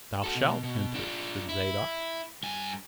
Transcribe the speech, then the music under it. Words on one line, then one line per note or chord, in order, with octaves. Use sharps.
"Thou shalt enter," said Zadok.
F#4 A4
B2
B2
D4 F4
E4
G2 G#5